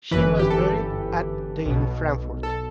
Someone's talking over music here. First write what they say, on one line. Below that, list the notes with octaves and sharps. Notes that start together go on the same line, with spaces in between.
She was buried at the in Frankfurt.
G1 F#2 E3 B4
G4
A4
B1 B2
A4